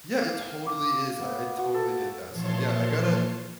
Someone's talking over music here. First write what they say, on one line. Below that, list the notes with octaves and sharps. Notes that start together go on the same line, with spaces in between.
yeah, it totally is. And I I totally get that. So yeah, I gotta
F5
D6
B3
F#4
A4
A#2 E3 F3 C#5 A5 C6